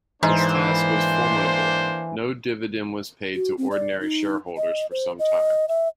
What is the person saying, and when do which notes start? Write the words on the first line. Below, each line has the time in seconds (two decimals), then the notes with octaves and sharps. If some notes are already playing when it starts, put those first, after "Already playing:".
His task was formidable; no dividend was paid to ordinary shareholders for some time.
0.23 G#2 E3 A#3 D4 C5
3.35 F#4
3.58 C4
3.71 D5
4.01 D#4
4.57 D#5
4.91 C5
5.19 D#5
5.68 E5